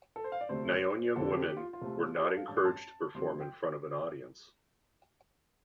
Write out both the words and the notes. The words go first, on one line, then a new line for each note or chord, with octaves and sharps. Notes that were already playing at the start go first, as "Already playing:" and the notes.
Nyonya women were not encouraged to perform in front of an audience.
A4
C5
F5
D5
D2 C3 A3 C4 C5
F1 F2 D3 A4
G4
G4
F4
F4
C2 C3 A3
G4
A4
F5
A1 G2 G3 D4 A5
C6
A5
D2 C3 F3 C4 C6
G5